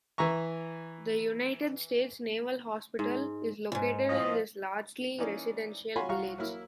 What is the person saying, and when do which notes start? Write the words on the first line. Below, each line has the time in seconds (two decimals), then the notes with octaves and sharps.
The United States Naval Hospital is located in this largely residential village.
0.18 E3 E5 A#5 C#6
2.99 G#2
3.72 E2 G#2
4.09 A2 F3 D#5
5.19 E3 A#3 C#4 D#4 D5
5.96 F4 F#4 C#5 G#5 B5 C6
6.09 C2 F4 F#4 F5 A#5 C#6
6.38 F#3 A#3 E4 F6